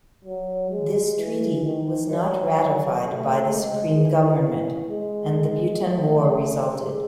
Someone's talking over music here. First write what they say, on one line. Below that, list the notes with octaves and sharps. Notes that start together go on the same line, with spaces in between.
This treaty was not ratified by the supreme government, and the Bhutan War resulted.
F#3
G#3
E3
D#3
F#3
A3
G#3
E3
G#3
A3
G#3